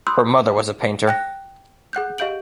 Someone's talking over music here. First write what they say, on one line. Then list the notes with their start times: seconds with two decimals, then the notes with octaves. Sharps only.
Her mother was a painter.
0.07 B5 C6 D#6 E6 F#6 G6
1.08 G5 F#6 A#6
1.93 G#4 F#5 F#6 G6
2.18 G4 D#5 F5 G6 D7 F#7